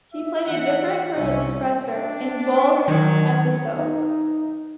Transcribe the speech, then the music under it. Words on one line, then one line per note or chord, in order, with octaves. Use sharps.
He played a different professor in both episodes.
E5
E3 F#5
C2 C#4 E5
D4
D#3 F#3
D#4